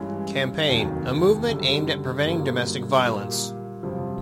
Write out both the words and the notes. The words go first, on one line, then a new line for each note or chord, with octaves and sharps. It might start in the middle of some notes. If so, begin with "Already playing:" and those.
Campaign, a movement aimed at preventing domestic violence.
Already playing: G2 E3 G#3 C#4
F1 D#2 D#3 F#3
F#1 F#2 D3 G3
G1 G2 D3 F#3 A#3
A#2 G3 A#3
G1 F2 C3 F3